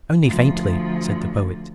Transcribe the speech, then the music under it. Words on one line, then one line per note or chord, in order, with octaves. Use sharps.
"Only faintly," said the Poet.
D2 F3